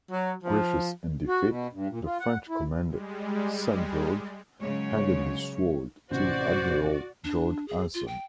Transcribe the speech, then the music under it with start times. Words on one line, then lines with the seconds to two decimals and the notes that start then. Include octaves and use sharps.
Gracious in defeat, the French Commander, Saint-Georges, handed his sword to Admiral George Anson.
0.12 F#3
0.44 F3
1.28 F#4
1.49 B2
1.73 G2
1.90 A#2
2.05 F4
2.20 F#5
2.49 E4
2.88 G3 G#3
4.60 C#3 F#3 G#3 C#5
6.11 A1 C3 F#4 C5 D5
7.24 D4
7.68 G#4
7.94 F4
8.08 G5